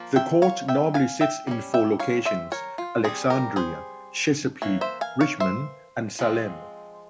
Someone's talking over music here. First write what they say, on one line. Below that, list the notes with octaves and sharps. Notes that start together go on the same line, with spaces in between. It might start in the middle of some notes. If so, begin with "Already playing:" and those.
The Court normally sits in four locations: Alexandria, Chesapeake, Richmond and Salem.
Already playing: F3 A#3
E5 G5
C#5 F5
E5 G5
F5 G#5
E5 G5
G3 A#3 C#4
E5 G5
C#5 F5
C5 E5
A#4 C#5
F4
G3 C4 F4 G#4
G4 A#4
G#4 C5
E3 A#3 C#5
C5 E5
F5 G#5
C#5 F5
C5 E5
F3 G#3 C4